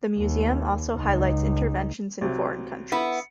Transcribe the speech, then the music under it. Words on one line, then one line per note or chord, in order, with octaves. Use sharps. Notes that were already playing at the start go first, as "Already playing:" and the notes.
The museum also highlights interventions in foreign countries.
D#2
C#2 D#4
C2 F#3
B3 E4